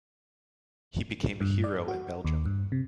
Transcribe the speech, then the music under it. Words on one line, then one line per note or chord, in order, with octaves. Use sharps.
He became a hero in Belgium.
G2
D5
F#4
D#2
G2
C3